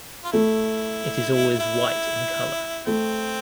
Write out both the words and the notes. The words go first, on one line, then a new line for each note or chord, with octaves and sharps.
It is always white in colour.
F4
A3 E4
E4
A3 C4